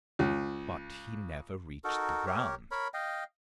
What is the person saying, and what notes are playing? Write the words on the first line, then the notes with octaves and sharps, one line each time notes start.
But he never reached the ground.
C#2
D#4 F#4 A4 A#4
G4 A#4 C#5
A#4 C#5 B5
D#5 F5 G5